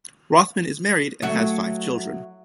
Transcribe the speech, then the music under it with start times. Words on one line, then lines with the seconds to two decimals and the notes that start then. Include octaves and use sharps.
Rothman is married and has five children.
1.22 F#3 A3 F#4